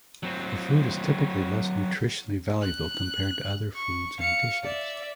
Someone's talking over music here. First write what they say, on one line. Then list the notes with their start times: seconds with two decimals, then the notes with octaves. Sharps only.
The food is typically less nutritionally valuable compared to other foods and dishes.
0.23 F#3 C4
2.62 F#6
3.75 C#6
4.21 F5 C#7
4.63 D5 E5